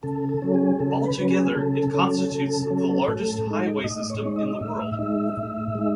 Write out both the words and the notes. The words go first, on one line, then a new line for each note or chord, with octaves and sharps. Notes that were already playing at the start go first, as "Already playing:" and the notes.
Altogether, it constitutes the largest highway system in the world.
C#3 A4
A4
F#3 C#4
G#4
C#3 A4
A4
B4
F#3 C#4
G#4
C#3 A4
F#3 C#4
C#3
F#3 C#4
A2
G#3 D#4
A2 D#5
C#5
G#3 D#4
D#5
A2 E5
G#3 D#4
A2
G#3 D#4